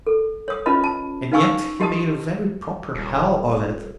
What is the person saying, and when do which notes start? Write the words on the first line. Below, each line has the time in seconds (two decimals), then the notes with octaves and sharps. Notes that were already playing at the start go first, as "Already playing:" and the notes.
And yet he made a very proper hell of it.
0.07 A4
0.48 C#5 D#6
0.66 C#4 F4 B4 D#5 A5 B5
0.84 A5
1.32 D#4 B4 F5 G#5 C#6 E6
1.80 F#4 G4 D#5 A5 D#6
2.95 D#1